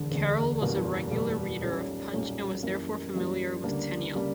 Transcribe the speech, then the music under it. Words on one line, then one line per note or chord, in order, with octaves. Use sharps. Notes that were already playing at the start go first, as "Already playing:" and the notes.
Carroll was a regular reader of "Punch" and was therefore familiar with Tenniel.
Already playing: E1 D2 D3
E1 D2 D3
F#1 E2 B2 G3 A#3
F#1 E2 B2 G3 A#3
B1 A#2 G3 C#4
B1 A#2 G3 C#4
F#2 E3 G3 A#3
F#2 E3 G3 A#3
D2 C#3 G3 A#3 D4
C#3 G3 A#3 D4